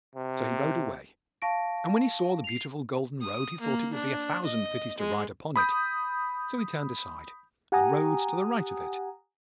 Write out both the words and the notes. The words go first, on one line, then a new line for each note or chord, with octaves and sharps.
So he rode away, and when he saw the beautiful golden road he thought it would be a thousand pities to ride upon it; so he turned aside, and rode to the right of it.
C3
F5 A5 C#6 A#6 D7
C7 F7
D#6
A#3
D4
D#5
G#3
B5 D#6 G6
G4 F#5 G#5 A#5 D#6